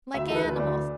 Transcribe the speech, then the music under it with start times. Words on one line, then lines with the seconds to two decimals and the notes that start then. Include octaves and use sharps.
Like animals!
0.14 D2 E5
0.30 E3 A4
0.35 B4
0.44 D2
0.56 D2 D5